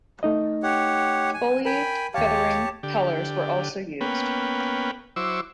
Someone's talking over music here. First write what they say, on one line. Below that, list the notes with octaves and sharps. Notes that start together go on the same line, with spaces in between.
Fully feathering propellers were also used.
A3 D#4 D#5
G4 C#5 F#5
G#5
A#4 G5 G#5 B5
D#2 G4 C#5 F5 A5
D3 G4
A#3 B3 C#4 B4 G5
F#3 E4 C5 C#6 D6 E6